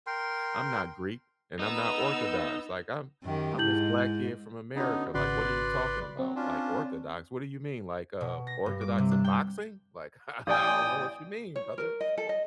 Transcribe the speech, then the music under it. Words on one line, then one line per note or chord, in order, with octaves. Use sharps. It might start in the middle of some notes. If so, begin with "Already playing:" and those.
"I'm not Greek, and I'm not Orthodox. Like, I'm I'm this Black kid from America, like, what are you talking about? Like, Orthodox, what do you mean, like, uh, Orthodox in boxing? Like, I don't know what you mean, brother."
A#4 G5 C6
B3 D#4 E6
F#2 D#3 G4
G#2 G#3 E4 G6 F#7
D3 B3 C#4 D#4 F#4
G#1 C#3 F#4 B4 D5 C6
F#3 C4
C#4 D4 F4
B2
A#6
G2
D6
C3
D4
G5
A1 D5 G5 G#5 D#6
C#5
A#4
D#5
A4
D#5